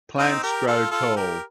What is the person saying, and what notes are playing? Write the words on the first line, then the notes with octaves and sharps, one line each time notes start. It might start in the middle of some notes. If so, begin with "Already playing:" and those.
Plants grow tall.
C4 D#4
G4 A#4
F4 A4
F4 A4
G4 A#4